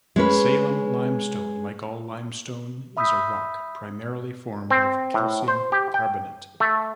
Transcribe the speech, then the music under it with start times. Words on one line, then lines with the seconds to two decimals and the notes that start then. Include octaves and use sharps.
Salem limestone, like all limestone, is a rock primarily formed of calcium carbonate.
0.16 G#3 C#4 B4
2.97 E5 B5 D#6 E6 G6 B6
4.71 C4
5.14 A2
5.48 C5
5.72 G4
5.94 G5
6.60 A3